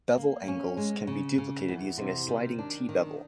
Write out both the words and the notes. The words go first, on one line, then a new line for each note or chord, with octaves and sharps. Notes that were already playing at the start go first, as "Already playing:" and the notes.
Bevel angles can be duplicated using a sliding T bevel.
A#3
C#4
G#3
C#3
C#3
E2
C3
D#3
D4
D#3